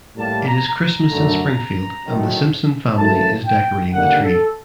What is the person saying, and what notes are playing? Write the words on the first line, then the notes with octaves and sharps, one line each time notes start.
It is Christmas in Springfield and the Simpson family is decorating the tree.
A2 G3 A#3 A5
A#5
A#5
F#2 D3 A3
F#1 F#2 D#3 A3
F#1 F#2 F#3 A3 A5
G5
D#2 D3 G3 A#3 D4 F#5
A4